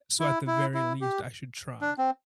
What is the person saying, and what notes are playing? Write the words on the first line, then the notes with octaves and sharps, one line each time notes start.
So, at the very least, I should try.
E4
E4
E4
G4
D4
C4